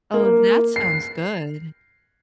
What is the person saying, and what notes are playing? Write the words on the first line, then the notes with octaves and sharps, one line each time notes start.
Oh, that sounds good.
A#3
C7